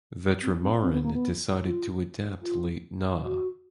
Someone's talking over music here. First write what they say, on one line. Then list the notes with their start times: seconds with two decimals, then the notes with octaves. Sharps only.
Vetrimaaran decided to adapt late Na.
0.43 C4
0.63 C4
0.83 C4
0.92 B3
1.03 A#3
1.14 B3
1.63 F4
2.42 F4
3.24 F#4